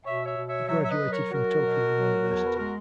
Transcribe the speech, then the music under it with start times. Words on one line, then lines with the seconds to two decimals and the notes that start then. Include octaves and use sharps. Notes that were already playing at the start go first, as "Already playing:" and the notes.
He graduated from Tokyo University.
0.05 B2 C#5 E5
0.25 C#5 E5
0.37 B2
0.47 C#5 E5
0.67 F#3 C#5 E5
0.82 E5
0.89 B4 D#5
1.00 F#3
1.10 A#4 C#5
1.31 F#3 F#4 A#4
1.63 B2
1.94 F#3
2.25 E2
2.32 C#5
2.45 B4
2.57 G#3 F#4 A#4